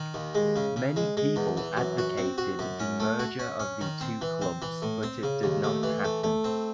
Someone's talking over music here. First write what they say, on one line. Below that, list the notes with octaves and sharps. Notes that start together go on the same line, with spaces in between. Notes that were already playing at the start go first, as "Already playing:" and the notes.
Many people advocated the merger of the two clubs but it did not happen.
Already playing: D#3
D#2
G#3
C#3
C#3
G#3
G#3
E2
E3
F#2
F#4
C4
F#4
F#2
C#4
A3
F#4
C#4
C#4
D#3
C4
E3
C4
E3
A2
C4
C#3
D#2
A3
E3
A3
A3
C4